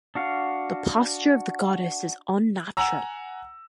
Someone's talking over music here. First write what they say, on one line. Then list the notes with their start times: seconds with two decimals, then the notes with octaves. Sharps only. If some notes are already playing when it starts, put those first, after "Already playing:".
The posture of the goddesses is unnatural.
0.15 D4 F#4 F5
2.77 F#5 G#5 A#5 E6